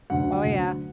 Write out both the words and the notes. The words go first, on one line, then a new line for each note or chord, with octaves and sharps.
Oh, yeah.
D2 D3 F#3 F#5
D2 D3 F#3